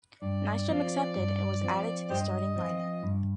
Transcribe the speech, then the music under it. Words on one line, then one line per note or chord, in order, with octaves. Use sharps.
Nystrom accepted, and was added to the starting lineup.
G2 D5
F3 C4 F4
G2
F3 C4 F4
G2 G4 C5 D#5
F3 C4 F4
G2